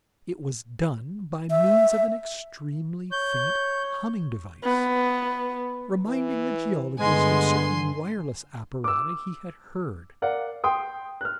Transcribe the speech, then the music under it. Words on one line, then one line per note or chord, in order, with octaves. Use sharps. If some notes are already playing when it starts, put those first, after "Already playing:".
It was done by means of an extremely faint humming device, reminding the geologist of certain wireless apparata he had heard.
E5
C#5 G6
B3
E3
G2 D3 G#3 B3 G#5 C6
D6 E6
A#4 D5 F5 F#5
G5 C6 D#6
F6 F#6